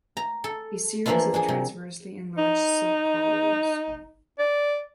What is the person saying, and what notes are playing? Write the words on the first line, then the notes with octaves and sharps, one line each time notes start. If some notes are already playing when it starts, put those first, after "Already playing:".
A series of transversely enlarged subcaudals.
A#5
A4
E3 F3 A#3 D4 E4 F4
D4 G#4
C3
D#4
D5